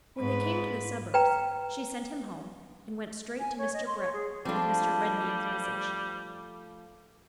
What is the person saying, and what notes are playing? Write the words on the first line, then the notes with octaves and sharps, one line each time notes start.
When they came to the suburbs, she sent him home, and went straight to Mr. Brett with Mr. Redmain's message.
G#2 B4
B4 G5 A#5
G#5
C#5
D#5
C6
C#5
G#4
F3 G3 A3 C4 D4 F4